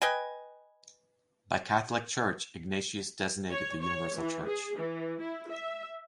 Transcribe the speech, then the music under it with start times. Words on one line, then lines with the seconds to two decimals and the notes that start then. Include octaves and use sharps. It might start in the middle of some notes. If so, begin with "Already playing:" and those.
By "Catholic Church" Ignatius designated the universal church.
0.02 B4 D#5 G5 G#5
3.51 C#5
3.82 C#5
4.16 E3
4.46 G#4
4.78 E3
5.21 E4
5.50 E5